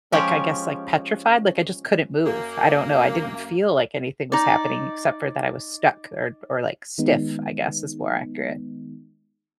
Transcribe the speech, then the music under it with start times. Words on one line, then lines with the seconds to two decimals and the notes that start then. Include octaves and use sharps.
like, I guess, like petrified, like I just couldn't move. I don't know I didn't feel like anything was happening except for that I was stuck or or like stiff, I guess is more accurate.
0.12 F3 G#3 C#4 G4
2.25 F#2 A#3
4.32 D#4 D5
6.98 D#3 G#3 B3 D#4